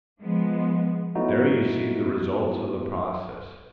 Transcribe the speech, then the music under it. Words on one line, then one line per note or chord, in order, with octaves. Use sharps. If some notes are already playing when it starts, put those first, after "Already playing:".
There you see the results of the process.
F3 G#3 B3
F#3 A3 B3 D#4 E4 F#4